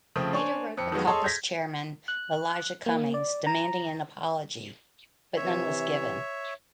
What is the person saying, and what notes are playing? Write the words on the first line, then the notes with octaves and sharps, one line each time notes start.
Nader wrote the caucus chairman, Elijah Cummings, demanding an apology, but none was given.
C#3 F3 A3 C4
D4 C5 C#5 G#5 C#6
F2 C4 C#7
D#3 F3 F#3 G#3 B3
G#4 A4 C#5 D#5 A5 C6
G6 G#6 A#6 B6
F#6
A#3
D5
A#5
C3 E3 C#5 E5